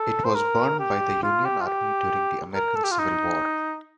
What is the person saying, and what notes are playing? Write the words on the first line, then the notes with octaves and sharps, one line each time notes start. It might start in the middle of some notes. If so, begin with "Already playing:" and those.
It was burned by the Union Army during the American Civil War.
Already playing: A4
C5
A#4
G4
F4
G4
F4
G4
A#4
A4
G4
F4
D#4